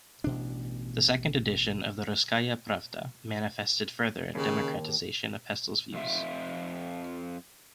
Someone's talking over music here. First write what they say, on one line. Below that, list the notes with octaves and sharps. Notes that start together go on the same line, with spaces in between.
The second edition of the Russkaya Pravda manifested further democratization of Pestel's views.
A1 B2 D4
D#2 C#3
F2 F4 E5